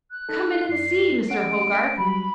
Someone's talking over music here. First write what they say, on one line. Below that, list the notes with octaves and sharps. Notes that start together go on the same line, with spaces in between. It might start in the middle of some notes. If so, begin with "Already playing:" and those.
Come in and see Mr. Hogarth.
F#6
D#4 A4
F#2 D5 C7
A3 C#4 F#5 D7
F#3 G3 B5